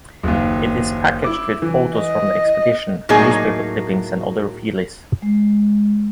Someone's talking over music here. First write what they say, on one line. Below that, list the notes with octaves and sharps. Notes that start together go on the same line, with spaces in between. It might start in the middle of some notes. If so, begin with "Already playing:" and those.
It is packaged with photos from the expedition, newspaper clippings and other feelies.
F#1 D#2
E4 D6
E3
D#5
A2 F#3 A#3 D#4 G#4
G#3